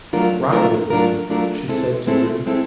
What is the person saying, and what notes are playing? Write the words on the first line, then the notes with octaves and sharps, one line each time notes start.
"Ride with me," she said to Ruth.
F#3 A3 D4 F4 A#4
F#3 A3 D4 F4 A#4
F#3 A3 D4 F4 A#4
F#3 A3 D4 F4 A#4
G#3 C4 E4 A4
G#3 C4 E4 A4
G#3 C4 E4 A4